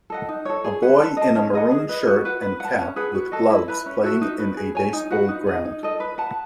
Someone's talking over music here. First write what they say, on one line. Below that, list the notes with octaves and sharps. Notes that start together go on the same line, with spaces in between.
A boy in a maroon shirt and cap with gloves playing in a baseball ground.
A4 D#5 F#5
D#4
A4 C#5
G#4
B4 F#5
A4
D#5 A5
C#4
G#4 D#5 F#5
G#4
B4 D#5
F#4
B4 F#5
B4
F#5 A5
C#4
G#4 B4 F#5
F#4
A4 D#5
E4
B4 E5 B5
C#4
F#4 A4 E5
D#4
F#4 B4
G#4
C#5 G#5
D#4
F#4 B4 F#5
D#4
G#4 D#5
D#4
A4 D#5
B4
F#5 A5